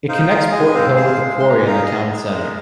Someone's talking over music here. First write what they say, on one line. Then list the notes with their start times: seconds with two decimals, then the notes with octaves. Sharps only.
It connects Porthill with the Quarry and the town centre.
0.09 D#4 C5 F5
0.30 G#4 F5 A#5
0.52 G#3 D#5 G#5
0.74 C4 C5 F5
0.96 G#4 C5 F5
1.18 G#3
1.40 G#3 C6
1.49 A#5
1.58 D#4 G#5
1.67 F5 A#5
1.83 G#4 D#5 G#5
2.05 G#3
2.27 G#3 A#4 D#5
2.39 D#5